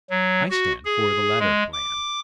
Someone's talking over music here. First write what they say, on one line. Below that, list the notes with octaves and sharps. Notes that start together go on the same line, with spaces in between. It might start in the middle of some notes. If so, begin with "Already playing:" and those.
I stand for the latter plan.
F#3
F#4
G#4
G#3
D6